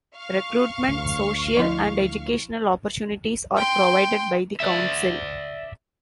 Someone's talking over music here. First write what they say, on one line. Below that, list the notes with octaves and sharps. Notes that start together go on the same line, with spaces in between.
Recruitment, social, and educational opportunities are provided by the council.
F5 C#6
D2
F3 E4 D#5
G5 C6
D5 E5